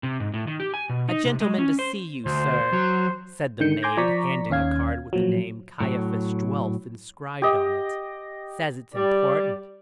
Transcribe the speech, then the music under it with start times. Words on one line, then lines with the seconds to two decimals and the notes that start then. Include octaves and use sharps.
"A gentleman to see you, sir," said the maid, handing a card with the name Caiaphas Dwelf inscribed on it; "says it's important."
0.03 C3
0.20 G#2
0.34 A2
0.47 D#3
0.60 G4
0.74 G#5
0.89 B2
1.09 D#4
1.25 C3
1.40 G#3
1.58 C#4
1.79 C5
2.26 D2 C5
2.73 F#3
3.60 D3 D#3 G6 C#7
3.82 G#5 C6 D6 G6 G#6 A#6
3.97 F3 D5 A#5 C#6 B6
4.50 D#2 C#4 F5 G#6
5.13 A#2 F3 F#3
5.80 A2 F#3
7.42 G4 D#5
8.94 G3 D5